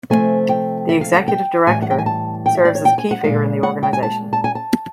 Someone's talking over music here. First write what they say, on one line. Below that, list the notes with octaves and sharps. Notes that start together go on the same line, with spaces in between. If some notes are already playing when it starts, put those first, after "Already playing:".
The Executive Director serves as a key figure in the organization.
C3 F3 A3 C4 G#5
G5
E5
F5
F#5
G5
A2 E3 G3 G#5
F#5
G5
G#5
A5
G5
E5
D5
C#5
G5
G#5
F#5
A#2 F3 G#3 F5
F#5
G5
G#5
A5
A5
G#5
A5